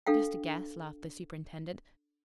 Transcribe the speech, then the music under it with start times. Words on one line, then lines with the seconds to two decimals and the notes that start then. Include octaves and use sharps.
"Just a guess," laughed the superintendent.
0.07 D4 A4 F5 G5